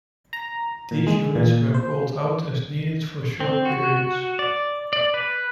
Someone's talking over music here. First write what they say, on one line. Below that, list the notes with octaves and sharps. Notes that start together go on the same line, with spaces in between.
These units were called out as needed for short periods.
A#5
A#2
G#3
A#2
C5
C4
F#4
D5
D5
B4